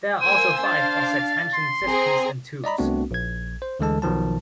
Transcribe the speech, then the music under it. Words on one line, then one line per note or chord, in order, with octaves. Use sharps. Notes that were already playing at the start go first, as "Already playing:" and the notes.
There are also five or six ancient cisterns and tombs.
A#3 C5 G#5 E6 D#7
D4 F5 A6
C6
C4 G#4 A#5
D5 D#5 A#5 B5
C2 A3 B3 C4 D4 F#4
A#1 G#6
C5
D2 D3 E3 G#3 A4 A5
B1 B2 D#3 F3 A5